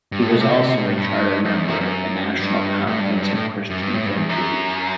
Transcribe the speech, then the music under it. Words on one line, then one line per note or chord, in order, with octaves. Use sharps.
He was also a charter member of the National Conference of Christians and Jews.
G2
A2
B2
C3
D3
C3
B2
A2
G2
F#2
E2
F#2
F#2
G2
A2
G2
F#2
G2
A2
F#2
G2
A2
G2
E2
F#2